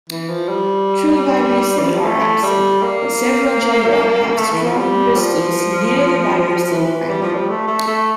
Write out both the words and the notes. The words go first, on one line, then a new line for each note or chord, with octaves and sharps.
True vibrissae are absent, but several genera have strong bristles near the vibrissal angle.
E3
F3
G3
E3
F3
G3
A3
G3
A#3
A3
E3
F3
G3
F3
E3
G3
F3
G3
A3
A3
A3